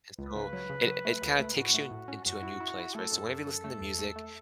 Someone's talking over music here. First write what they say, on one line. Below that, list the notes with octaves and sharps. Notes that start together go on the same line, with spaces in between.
And, so it it kinda takes you into a new place right? So, whenever you listen to music,
C#2 B4
C#3
F#3
C#3
F#3
A3
C#2
A3
A2 F#4
A3
A2
C#4
F#2 F#4
E4
E4
E4
A3 A4
F#2
F#2
F#2
A3
E2
A3
A3